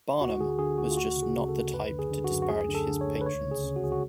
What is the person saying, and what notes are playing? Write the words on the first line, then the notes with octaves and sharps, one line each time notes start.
Barnum was just not the type to disparage his patrons.
D2 F#4
D3 G#4
D3 G#4
D2 F#4
F4
D2 F#4
C#3
G#4
C#3
A4
D2
F#2 B4
D3
G#4
D3
F#4
F#2
F#4
D2 G#4
D3
A4
D3
C#5
D2
B4
C#2 C#5
C#3
G#4
C#3
F#4
C#2 G#4
F#4